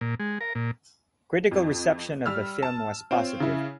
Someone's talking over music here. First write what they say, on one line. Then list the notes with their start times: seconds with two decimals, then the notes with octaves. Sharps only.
Critical reception of the film was positive.
0.01 A#2
0.20 G#3
0.41 A#4
0.55 A#2
1.51 F2
2.26 G3 E6 F6
2.63 A5
3.11 C4 F4 C#5
3.40 C#3 E4